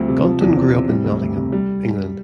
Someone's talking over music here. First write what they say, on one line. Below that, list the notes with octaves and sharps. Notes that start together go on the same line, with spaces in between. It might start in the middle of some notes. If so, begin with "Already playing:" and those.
Gunton grew up in Nottingham, England.
Already playing: D2 F3 G3 C4
C3
F3
E2
C4
C3
G3
D2
D2
C3
G3